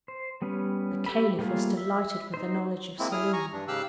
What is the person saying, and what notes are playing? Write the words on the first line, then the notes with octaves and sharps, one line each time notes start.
The Caliph was delighted with the knowledge of Selim.
C5
G3 B3 C#4
G4 A4 B5
G3 A3 A#3 F4 G#4
E5
D#4 C5
G#3 A#3 C4 E4
E4 G#4 D#6 F6
G#5 A#5 C#6
G2 D4
G#2 C#3 G4 F5 E6 F#6